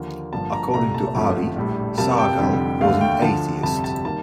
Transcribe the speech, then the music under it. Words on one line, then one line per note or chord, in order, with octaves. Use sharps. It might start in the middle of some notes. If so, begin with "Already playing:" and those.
According to Ali, Sahgal was an atheist.
Already playing: D#2 D3 F3 A#3
G1 G2 F3 A#3 A5
A#5
C2 A#2 A3 A#5
A5
G1 F2 D3 F3 A3
A#1 A2 G3
F2 C3 G3 A#3 A5
G5
F1 F2 D3 G3
D#2 D3 A3 F5
G5
D2 D3 F3 A5
G1 F2 C3 G3 A5
A5
D#3 G3 A#3 A5